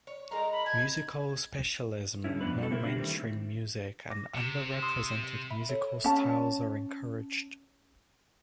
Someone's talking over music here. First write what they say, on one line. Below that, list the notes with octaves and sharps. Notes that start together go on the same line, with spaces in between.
Musical specialism, non-mainstream music and under-represented musical styles are encouraged.
C#5
G#3 D#4 A#4 A#5
B5
A5 G#6
G2 B2 D3 C#4 E4
F2 A#2 B3 D4 B4
G3 A4
C#3 A#3 C4 E4 A#4
D4 F#4 G4
D#3 E3 G3 A3 C4
D6 A#6
C3
C6 D#6 E6
E5 B5
A4 C#5 E5
C#4 A5